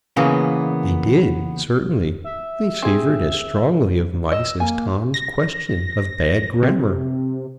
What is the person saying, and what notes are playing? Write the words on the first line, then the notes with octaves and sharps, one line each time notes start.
They did, certainly; they savored as strongly of mice as Tom's question of bad grammar.
C#3 E3 A#3 B3 C#4
E5
C4 G#4
D#5 E6
A#3 G#5
A#6
C3